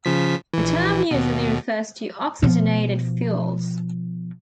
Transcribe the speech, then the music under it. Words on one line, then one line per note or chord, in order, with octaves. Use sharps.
The term usually refers to oxygenated fuels.
C#3 F3 B6
A#1 E3
D#2 B2
B2 F3